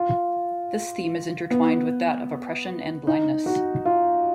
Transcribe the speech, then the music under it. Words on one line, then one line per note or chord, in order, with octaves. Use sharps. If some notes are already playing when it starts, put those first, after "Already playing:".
This theme is intertwined with that of oppression and blindness.
Already playing: F4
B3
D#4
F#4
F4